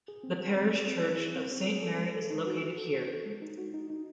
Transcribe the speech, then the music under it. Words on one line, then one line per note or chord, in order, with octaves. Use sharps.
The parish church of Saint Mary is located here.
G#4
C4
G#4
C4
G#4
C4
E4
G#4
C4
C4
G#4
A4
G#3
A4
D#4
F#4
F#4
A4
F#4
A4
G#3
D#4
F#4
D#4
D#4